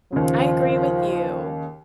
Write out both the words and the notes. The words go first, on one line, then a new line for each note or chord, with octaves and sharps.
I agree with you,
D#2 C#3 F3